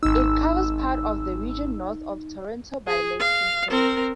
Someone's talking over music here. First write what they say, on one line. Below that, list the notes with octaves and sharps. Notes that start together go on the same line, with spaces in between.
It covers part of the region north of Toronto by Lake Simcoe.
G#1 D#4 E6
G#4
F5
C4 A#4